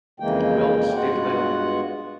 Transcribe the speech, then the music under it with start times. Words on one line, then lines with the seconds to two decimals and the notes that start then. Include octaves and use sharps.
Wilkes did little.
0.20 F2 C#3 E3 G#3 A#3 G5
0.94 G2 G#3 B3 F4 F#4 F#5